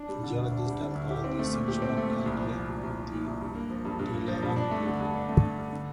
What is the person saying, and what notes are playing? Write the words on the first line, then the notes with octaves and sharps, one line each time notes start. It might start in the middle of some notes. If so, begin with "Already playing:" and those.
Geologists have called this section of the glacier "the Delavan lobe".
Already playing: D4
G3
D3
D2
D4
G3
D3
D2
G4
C4
A3
A#2
G4
C4
A3
A#2
C2
F3
A#2
C2
C2
F3
A#2
C2
G2
A#3
F3
G2
G2
A#3
F3
G2
D4
A3
D3
G2
D4
A3
D3
G2
D3